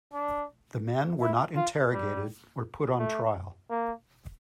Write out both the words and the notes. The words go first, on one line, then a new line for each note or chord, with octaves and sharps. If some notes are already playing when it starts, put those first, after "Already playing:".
The men were not interrogated or put on trial.
D4
E4
F4
G3
A3
A#3